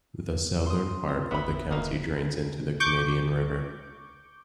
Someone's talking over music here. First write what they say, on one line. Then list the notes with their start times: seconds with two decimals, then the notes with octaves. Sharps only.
The southern part of the county drains into the Canadian River.
0.66 C6 D#6
0.84 F#2
1.08 C4
1.31 A1 B3 B4 E5 B5
1.71 D#1 A#3 D#4
2.80 C#6 D6 G6